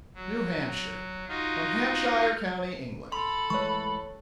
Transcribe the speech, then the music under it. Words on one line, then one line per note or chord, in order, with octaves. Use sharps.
New Hampshire--From Hampshire county, England.
F#3
D#4 F4 F#4
A4 B5 C6
E3 G#3 A3 C#5 C#6